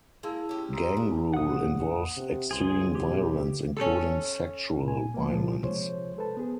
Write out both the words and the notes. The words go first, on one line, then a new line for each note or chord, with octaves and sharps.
Gang rule involves extreme violence, including sexual violence.
G#3 A#3 E4 A5 E6
C#4 G4
A#5 C6 D#6
D4 G4 G#4 D#6
A#1 F#5 D#6
C3
C#2 G#4 C6
B1 G4
C#4 A4
A#2 G#5
F3 A#3
A#2 F3 F4
C3 F3 G#3 C5 C#5
A4 B4 C5 A5
B3 G#4